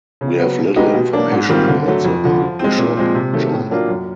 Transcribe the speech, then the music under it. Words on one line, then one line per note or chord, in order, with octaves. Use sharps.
We have little information about the Archbishop John.
C#3
F#3 B3
B2
G#3 B3 D#4 G4
B2
F#3 A#3 D4
G#2
D#3 G3 C4 F4
D3
F#3 A3
F2
D3 F3
F3
G#3 C4
A#2
F3 G#3 C4
C3
D#3 F#3 A3
A2
F#3 A#3 D4 F4
F#2